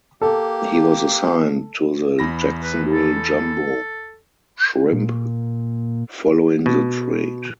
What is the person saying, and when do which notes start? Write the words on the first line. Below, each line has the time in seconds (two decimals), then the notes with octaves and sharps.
He was assigned to the Jacksonville Jumbo Shrimp following the trade.
0.21 A#3 G4 A4
2.19 E2 B5 A#6
2.63 B4
2.93 A4
4.92 A#2
6.66 B2